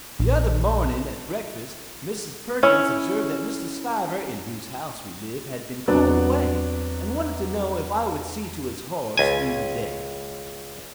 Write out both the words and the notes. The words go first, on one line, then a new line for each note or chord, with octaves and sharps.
The other morning at breakfast Mrs. Perkins observed that Mr. Stiver, in whose house we live, had been called away, and wanted to know if I would see to his horse through the day.
A#1
C#4 E4 C#5
E2 F#3 B3 C4 D4 B5
C#2 G#5